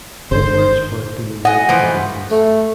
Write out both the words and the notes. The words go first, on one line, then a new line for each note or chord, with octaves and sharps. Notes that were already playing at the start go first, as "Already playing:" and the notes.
Edwards worked in the wallpaper business.
G1 G#2 C5
D#5 F#5 G#5
E3 F3 A3
A3